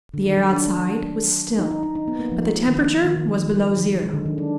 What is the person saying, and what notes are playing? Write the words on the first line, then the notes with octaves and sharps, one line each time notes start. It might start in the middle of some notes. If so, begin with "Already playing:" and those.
The air outside was still, but the temperature was below zero.
D3
D#3
F#3
D4
D#4
D#4
D#4
D#4
B3
A#3
F3
D#3
D#3
D#3
F3
D#3
D#3
F#3
G#3
D3
D#3
D4